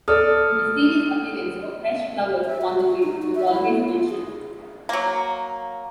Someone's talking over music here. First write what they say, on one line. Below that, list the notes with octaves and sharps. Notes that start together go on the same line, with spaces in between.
The mysterious appearance of fresh flowers upon the grave was always mentioned.
A4 D5 D#6 F6
E5
F#4
F#4
D#4
F#4
E5
E4
B3
F4
G#4
F#3 A#3